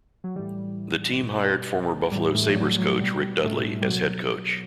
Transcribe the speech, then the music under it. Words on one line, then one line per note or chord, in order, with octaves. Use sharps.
The team hired former Buffalo Sabres coach Rick Dudley as head coach.
F#3
A2 E3 G3
B2
A2 E3 G3
A2 A3
F#3
G3
F#3
B2 G3
G3
A2 A3
G3
B2 F#3